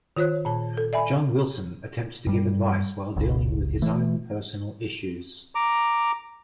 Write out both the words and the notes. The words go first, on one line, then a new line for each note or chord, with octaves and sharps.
John Wilson attempts to give advice while dealing with his own personal issues.
D#3 F4 C5 C#5 F#6
A#2 A5
A4
D5 E5 G#5 B5
G2 G3
F#1 C#2
E3 A3
A#5 D6